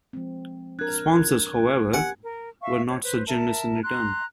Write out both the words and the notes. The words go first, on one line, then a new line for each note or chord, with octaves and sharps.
The sponsors however, were not so generous in return.
F3 G#3 C4
D4 A#4 F#6 G#6
G4 F#5 G#5
A#4
E5 F5 C#6
C5 C#5
B4 C5
A#4 E5 A5
A#5 C6 F#6